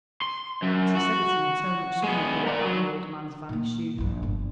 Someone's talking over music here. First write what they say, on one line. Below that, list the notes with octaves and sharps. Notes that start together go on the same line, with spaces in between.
But he said it in a tone which suddenly brought back the older man's vanished youth.
C6
F#2
F#4
G#3 B3
A#4 D5
F#3
A#2 A#3
A#1 G2
G1